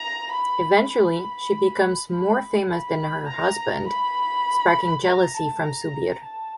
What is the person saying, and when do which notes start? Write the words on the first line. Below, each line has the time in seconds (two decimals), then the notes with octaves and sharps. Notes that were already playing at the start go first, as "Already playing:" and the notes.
Eventually, she becomes more famous than her husband, sparking jealousy from Subir.
Already playing: A#5
0.32 B5
0.91 B5
2.09 B5
2.69 B5
3.28 A#5
3.87 B5
5.06 A#5
5.35 A5
5.65 A#5
6.24 A5